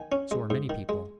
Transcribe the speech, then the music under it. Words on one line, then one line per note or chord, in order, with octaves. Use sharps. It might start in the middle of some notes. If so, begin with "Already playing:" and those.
So are many people.
Already playing: D#3 G#5
C#4
G#3
G#2
D#3
G#3